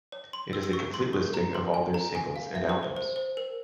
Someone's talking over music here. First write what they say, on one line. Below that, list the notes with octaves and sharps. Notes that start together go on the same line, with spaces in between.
It is a complete listing of all their singles and albums.
C#5
C6
E6
E6
C#6
C6
C#6
A#5
C6
G#5
A#5
G#5
F5
E5
C#5
C5
C5
C5
A#4